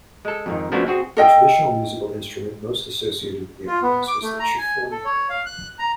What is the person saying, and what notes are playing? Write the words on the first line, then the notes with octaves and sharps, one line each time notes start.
The traditional musical instrument most associated with the islands was the "chifournie".
G#3 A4
F2 G#2 D#3
F3 A3 B3 C#4 D4 F#4
C4 F#4 G#4
A4 D#5 G5
F4
B3
D6
A3
A#5
G#5
A4
C#5
F5
F#6
A#5